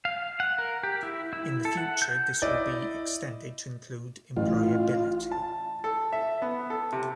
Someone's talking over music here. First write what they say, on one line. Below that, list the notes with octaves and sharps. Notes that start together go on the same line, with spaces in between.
In the future this will be extended to include employability.
F5
F#5
A#4
G4
E4
E4
A4
F#5
G6
E4 D5 D#5
A1 F4
A5
A4
E5
B3
A4
C3